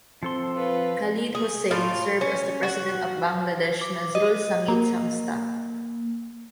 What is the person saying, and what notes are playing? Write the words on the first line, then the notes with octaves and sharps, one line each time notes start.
Khalid Hossain served as the president of Bangladesh Nazrul Sangeet Sangstha.
F3 C4 A4 C6
F4 B4
G#4
A2 F4
C#4
F#4
D6
D#5
A#3